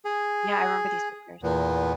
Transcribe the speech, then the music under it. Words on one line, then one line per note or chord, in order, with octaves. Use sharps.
Yeah, I remember these pictures.
G#4
E2 A#2 B3